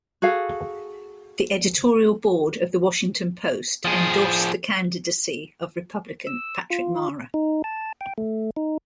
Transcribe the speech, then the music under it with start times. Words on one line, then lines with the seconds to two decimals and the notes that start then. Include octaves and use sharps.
The editorial board of The Washington Post endorsed the candidacy of Republican Patrick Mara.
0.22 F#4 G#4 A4 F5
3.85 F3 G#4
6.27 E6
6.70 F4
7.34 D#4
7.64 A5
8.01 G5
8.18 A3
8.57 D#4